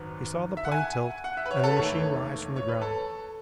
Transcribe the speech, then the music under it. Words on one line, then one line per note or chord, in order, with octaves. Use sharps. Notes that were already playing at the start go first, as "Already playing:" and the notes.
He saw the plane tilt and the machine rise from the ground.
Already playing: G#1 F#2 D#3 F#3 B3
E5
F#5
G#5
F#5
E5
B4
C#5
A4
B4
E1 D#2 D#3 A3 C#5
C#5
B4
A4